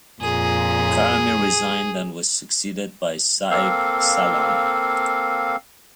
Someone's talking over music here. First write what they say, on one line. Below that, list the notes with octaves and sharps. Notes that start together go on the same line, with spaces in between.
Karami resigned and was succeeded by Saeb Salam.
F2 A#2 G#4
A#3 C4 A4 F5